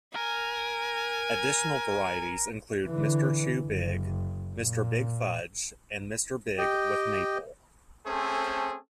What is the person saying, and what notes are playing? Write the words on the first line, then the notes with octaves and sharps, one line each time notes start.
Additional varieties include Mr. Chew Big, Mr. Big Fudge, and Mr. Big with Maple.
A#4 G#5
D3 E3
F#1
A#2
G4 D#5 G5
A3 C4 C#4 G#4 A4 C5